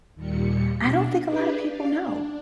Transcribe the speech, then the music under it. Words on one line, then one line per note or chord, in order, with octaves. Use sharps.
I don't think a lotta people know.
D#2 A#2 G3 C#7
B2 D4
D4 G4 G#4 B4
D5 F5
D4